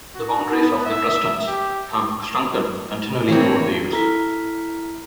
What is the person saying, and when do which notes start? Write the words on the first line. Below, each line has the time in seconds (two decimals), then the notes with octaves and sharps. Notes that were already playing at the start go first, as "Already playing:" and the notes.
The boundaries of the Prestons have shrunken continually over the years.
0.15 F#4
0.51 B3
0.85 E5
1.47 G4
3.28 E3 A#3 C4 C#5
3.91 E4 A4 A#5 F6 B6